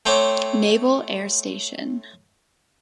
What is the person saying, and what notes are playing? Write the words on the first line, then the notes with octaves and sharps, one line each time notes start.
Naval Air Station.
A3 C4 C5 C#5 G5 D6